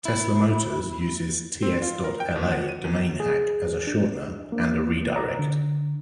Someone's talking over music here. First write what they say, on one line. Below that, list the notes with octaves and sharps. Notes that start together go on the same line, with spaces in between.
Tesla Motors uses "ts.la" domain hack as a shortener and a redirect.
E4
C4
F4
A#4
G5
D#2
F#5
D#7
E2
G#4
D4
A#3
A#5
D3